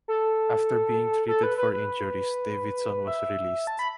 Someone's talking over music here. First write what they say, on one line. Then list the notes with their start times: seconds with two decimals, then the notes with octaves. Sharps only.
After being treated for injuries, Davidson was released.
0.08 A4
1.28 A4
1.43 B4
1.58 B4
1.73 B4
3.08 E5
3.67 A5
3.79 B5